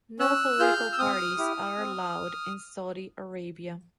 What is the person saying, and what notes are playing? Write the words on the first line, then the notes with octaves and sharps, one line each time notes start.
No political parties are allowed in Saudi Arabia.
C#4 E6 F#6
F4 G#4 F6 G6
E6
C4 D#6 F6
E4 G4
C4